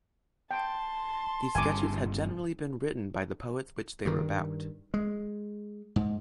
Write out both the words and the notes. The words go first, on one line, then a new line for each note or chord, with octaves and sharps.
These sketches had generally been written by the poets which they were about.
G5 A5 C6
G1 C#3 G#5 D6
G2 D#3
G#3
G#2